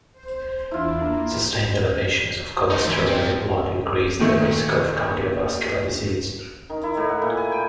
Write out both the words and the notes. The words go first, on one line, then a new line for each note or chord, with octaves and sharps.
Sustained elevations of cholesterol in the blood increase the risk of cardiovascular disease.
C5
E2 D4 E4 F4
A#3 A#4
D#4 C5
E3 C#4
F3 C4
A#2 D#3 A3
D#3
E4
A2
F#5
A#2
G#5
G5